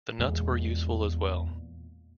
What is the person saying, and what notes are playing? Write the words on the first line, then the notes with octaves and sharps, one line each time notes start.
The nuts were useful as well.
E2 A#2 G#3